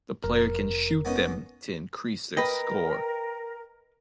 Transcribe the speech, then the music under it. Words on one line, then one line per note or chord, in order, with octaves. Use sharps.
The player can shoot them to increase their score.
F1 A#4
B3 C#4 D#4
A#4 B4 D#5 G5 A#6